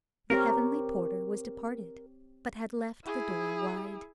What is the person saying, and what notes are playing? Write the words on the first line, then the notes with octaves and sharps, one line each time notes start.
The heavenly porter was departed, but had left the door wide.
C4 G4 A#4 C#5
E4 G#4